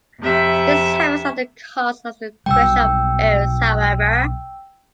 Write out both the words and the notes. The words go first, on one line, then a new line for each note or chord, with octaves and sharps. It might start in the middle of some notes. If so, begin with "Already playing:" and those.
This happens at the cost of the correction of errors, however.
F2 C3 E5
B1 B2 G3 G5 E6